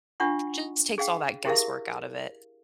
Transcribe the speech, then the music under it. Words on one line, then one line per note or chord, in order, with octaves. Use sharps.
Just takes all that guesswork out of it.
D4 F4 E5 F#5 C#6
G#4 F5 G5
E4 G4 G#4 A#4 E5 F5